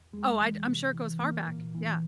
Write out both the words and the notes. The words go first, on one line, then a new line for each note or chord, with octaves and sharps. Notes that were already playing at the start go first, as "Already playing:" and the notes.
Oh, I'd I'm sure it goes far back. Yeah.
Already playing: E2
F2 G#3
E3
C3
E3
C2 A#3
A#2
E3